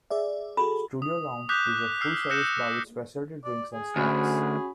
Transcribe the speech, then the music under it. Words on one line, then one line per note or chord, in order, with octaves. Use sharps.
Studio Lounge is a full-service bar with specialty drinks and snacks.
G#4 D5 E5
F#4 G#4 A4 B5
D#6
D6 D#6 F#6 G6 B6
E6 F6 G6 C7
E6 F#6 G6 A#6 C#7 E7
D5
G#4
D2 C#4 F#4 B5